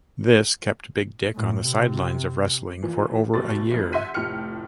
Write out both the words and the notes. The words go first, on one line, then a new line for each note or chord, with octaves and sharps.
This kept Big Dick on the sidelines of wrestling for over a year.
A2
C3
A#2 E3 F3
F1 B2 A3 G4 A6
G#1 F2
E5 F#5 C6 G6 B6 D#7
F1 A2 F4 G5 F6 C#7